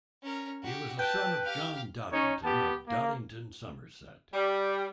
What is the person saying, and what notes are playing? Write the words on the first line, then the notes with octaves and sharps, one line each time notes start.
He was the son of John Dodington of Dodington, Somerset.
C#4 A#4
F#4 G4
B4 G5 A5
G4 F5
C#4 D#4 C#5
B3 G4 A5
A#3
G3